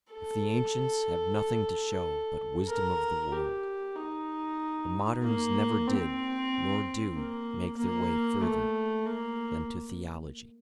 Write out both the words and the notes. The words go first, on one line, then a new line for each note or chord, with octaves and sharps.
If the ancients have nothing to show but wisdom of the world, the moderns never did nor do make their way further than to theology.
A4
A#4
G4
D#4
A#3
C4
A#3
A#3
A3
A#3